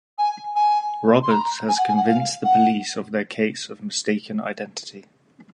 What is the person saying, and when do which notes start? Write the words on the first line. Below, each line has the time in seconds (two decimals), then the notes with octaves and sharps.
Roberts has convinced the police of their case of mistaken identity.
0.18 G#5
0.56 G#5
1.23 C6
1.31 A#5
1.69 G#5
1.78 F#5
1.88 G#5
1.97 F#5
2.07 F5
2.44 F#5